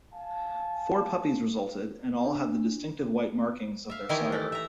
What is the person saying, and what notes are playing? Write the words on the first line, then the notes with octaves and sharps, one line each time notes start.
Four puppies resulted, and all had the distinctive white markings of their sire.
F5 G#5 A5
D4
E5 F5
D#3 E3 D#4 E4 G4 G#5
A3
E5 A#5